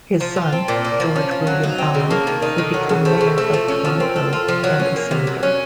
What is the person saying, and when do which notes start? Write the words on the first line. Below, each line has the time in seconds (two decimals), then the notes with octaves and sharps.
His son, George William Allan, would become mayor of Toronto and a senator.
0.20 F3 A#5
0.36 F4
0.52 C4 A5
0.68 A#2
0.85 A#3
1.00 F3 A#5
1.16 C#4 A5
1.31 F3 F5
1.47 F#3
1.63 D#4
1.78 C4 D#5
1.95 C#3
2.10 A#3 A5
2.27 D#3
2.42 D#4 A#4
2.55 D#3 A4
2.69 A#4
2.74 F#3
2.89 C#3
3.05 A3 C5
3.21 C#3
3.27 A4
3.37 A3 A4
3.54 F3
3.68 C#4
3.85 F3
4.00 C4 A#4
4.16 A4
4.33 F4
4.48 F3
4.63 F#3 C#5
4.80 C#4
4.96 A#3 A#4
5.11 C3
5.27 F#3
5.43 C#4